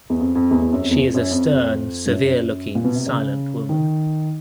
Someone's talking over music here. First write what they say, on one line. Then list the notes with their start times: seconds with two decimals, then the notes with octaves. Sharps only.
She is a stern, severe-looking, silent woman.
0.10 E2
0.20 F2
0.35 F2
0.51 E2
0.62 E2
0.72 F#2
0.82 F2
0.91 E2
1.00 F2
1.14 F#2
1.31 F2
1.47 F2
2.06 G2
2.11 F#2
2.75 A#2
2.84 B2
2.95 C3
3.06 C#3
3.69 D#3